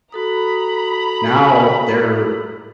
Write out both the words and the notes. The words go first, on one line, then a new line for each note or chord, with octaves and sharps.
now they're
F#4 A4 A#5 B5 D#6